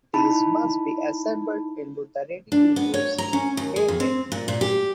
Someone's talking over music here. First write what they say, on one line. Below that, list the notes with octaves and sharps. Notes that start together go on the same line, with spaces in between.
These must be assembled into the ready-to-use grenade.
D#4 E4 A5 B5
D4
B3
C#5
A#5
C#4
D#2
G#4
F2
C4
A#2
A#2
G4